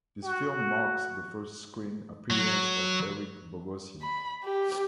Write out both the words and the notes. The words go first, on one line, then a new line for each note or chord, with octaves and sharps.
This film marks the first screen appearance of Eric Bogosian.
F#4
F#3
B5
G4